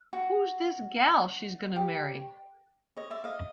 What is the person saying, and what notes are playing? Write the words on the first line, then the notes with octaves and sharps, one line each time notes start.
Who's this gal she's gonna marry?
F#4
G4
C#5 D#5
D5 E5
D#5 F5